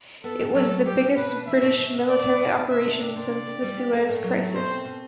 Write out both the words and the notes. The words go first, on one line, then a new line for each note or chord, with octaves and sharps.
It was the biggest British military operation since the Suez Crisis.
B3 A4
A2
F#3 A4
F#3
G3 G4
B2
B2 B4
D4
E2 E5
B2
B2
B2
B3 D5
C3
C3
C3
C3 E5
D4
C3 D5
C3
D3
G4
G3
G4
A3
A2
F#3
A3
B2 C5
C4
B2